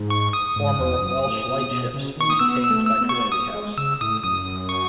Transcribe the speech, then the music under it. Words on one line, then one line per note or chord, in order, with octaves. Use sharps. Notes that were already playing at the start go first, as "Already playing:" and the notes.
Former Welsh lightships were maintained by Trinity House.
Already playing: G#2
C#6
D#6
G#2
E2
F#2
A2
B2
B2
C#3
D#3 C#6
D#6
B3 E6
E6
A3
E6
B3
C#6
D#6
G#3
C#3 E6
A2 D#6
F#2 D#6
C#6